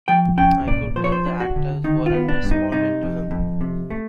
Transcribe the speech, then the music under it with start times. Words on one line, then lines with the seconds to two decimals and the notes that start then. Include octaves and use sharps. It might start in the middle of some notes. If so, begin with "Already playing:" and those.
I could tell the actors weren't responding to him.
0.08 F3 G5
0.38 C#4 G5
0.67 A#2 D5
0.96 F3 C5
1.04 C#5
1.12 C5
1.26 D4
1.40 F#4
1.56 D3
1.84 D#3 D#4
2.06 F4
2.14 B3
2.28 D4
2.44 G2
2.51 D#4
2.72 C3 D#4
3.03 F2
3.31 F2
3.61 C3
3.90 A3